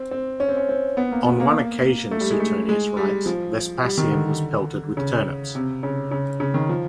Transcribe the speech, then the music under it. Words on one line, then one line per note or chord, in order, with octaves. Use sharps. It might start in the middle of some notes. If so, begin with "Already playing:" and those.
On one occasion, Suetonius writes, Vespasian was pelted with turnips.
Already playing: C4
C4
C#4
C4
C#4
C4
B3
A#3
B3
A#3
A3
G3
G#3
A3
G#3
G3
F3
G3
D#3
D3
C#3
C3
C#3
C#3
C#3
D#3
F3